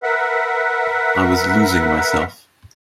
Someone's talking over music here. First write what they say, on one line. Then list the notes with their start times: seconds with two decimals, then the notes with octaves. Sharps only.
I was losing myself.
0.03 A#4 B4 E5 F#5